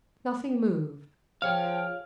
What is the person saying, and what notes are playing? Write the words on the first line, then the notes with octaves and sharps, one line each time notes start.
Nothing moved.
F3 G#4 C#5 F5 G5 F6